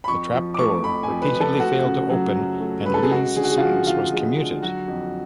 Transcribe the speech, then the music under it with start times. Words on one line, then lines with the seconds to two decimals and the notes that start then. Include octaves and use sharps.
The trap door repeatedly failed to open and Lee's sentence was commuted.
0.04 B5
0.08 F2 C#6
0.33 F3
0.54 D6
0.59 A3 C#6
0.84 F2 B5
1.03 G#5
1.10 F2
1.22 B4
1.34 F3
1.40 A4
1.60 A3 F#4
1.85 C#3
2.10 F#3
2.35 F#2
2.60 A3
2.86 C#3 B4
2.94 A4
3.03 G#4
3.11 G#3 F#4
3.36 D3 G#4
3.44 F#4
3.51 G#4
3.57 F4
3.62 F3 F#4
3.87 D2 F4
4.12 G#3
4.38 D3
4.63 F#3 F#4
4.88 F2